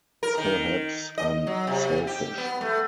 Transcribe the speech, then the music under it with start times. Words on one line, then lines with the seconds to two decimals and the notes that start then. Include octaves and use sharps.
Perhaps I’m selfish.
0.23 A#4
0.38 D#3
1.18 D#5
1.47 F#3
1.67 C3
2.07 G4
2.38 B3
2.61 A3